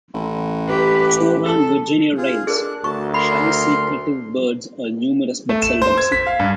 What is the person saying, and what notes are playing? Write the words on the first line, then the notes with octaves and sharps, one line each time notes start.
Sora and Virginia rails - shy, secretive birds - are numerous but seldom seen.
A1
G4 B4
A4
F4 G#4
D4 G#4 A#4 F#6
D2 F#4 A5 C#6
A#4 B5 C6
A3
E7
C5
G#6
B6
F5
G2